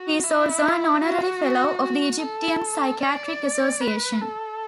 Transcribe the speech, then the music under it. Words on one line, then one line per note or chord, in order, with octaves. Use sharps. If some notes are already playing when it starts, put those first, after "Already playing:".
He is also an Honorary Fellow of the Egyptian Psychiatric Association.
Already playing: F#4
E4
F#4
F#4
A4
D5
B4
A4